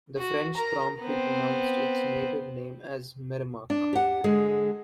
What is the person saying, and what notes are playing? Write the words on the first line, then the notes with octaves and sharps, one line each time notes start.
The French promptly pronounced its native name as "Merremack".
F#4
A#4 A#5
B3 C4
D4
G4 F#5
D3 G#3 G#4